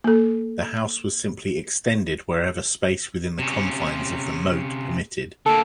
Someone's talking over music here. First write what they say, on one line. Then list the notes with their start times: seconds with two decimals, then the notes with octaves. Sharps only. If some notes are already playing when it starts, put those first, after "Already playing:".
The house was simply extended wherever space within the confines of the moat permitted.
0.04 A#3 A4
3.39 C3 C#4
5.46 D3 A#3 A4